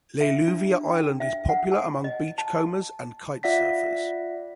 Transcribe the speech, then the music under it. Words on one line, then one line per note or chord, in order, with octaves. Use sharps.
Leleuvia Island is popular among beachcombers and kite surfers.
E5
D4
G5
E5
F#5
G#5
D#5
A5
F4 D5 E5 F#5 A#6 B6